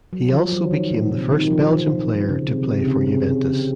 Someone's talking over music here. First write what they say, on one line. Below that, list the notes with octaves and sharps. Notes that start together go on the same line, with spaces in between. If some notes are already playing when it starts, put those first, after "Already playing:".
He also became the first Belgian player to play for Juventus.
F#3
F3
F#3
D#3
A#2
C3
D#3
F3
C#3
C3
C3
C#3
C3
C3
C#3